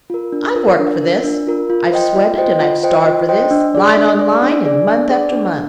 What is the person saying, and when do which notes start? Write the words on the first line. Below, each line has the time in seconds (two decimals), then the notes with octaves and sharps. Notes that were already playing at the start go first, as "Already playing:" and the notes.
I've worked for this, I've sweated and I've starved for this, line on line and month after month.
0.10 F4 A#4
0.32 D4
0.55 F4 A#4
0.79 D4
1.01 F4 A#4
1.24 D4
1.47 F4 A#4
1.70 F4
1.92 C5 D#5 G5
2.15 F4
2.37 C5 D#5 G5
2.60 F4
2.83 C5 D#5 G5
3.06 F4
3.29 C5 D#5 G5
3.51 D4
3.75 G#4 D5
3.97 D4
4.19 G#4 D5
4.43 D4
4.65 G#4 D5
4.88 D4
5.10 G#4 D5
5.33 D4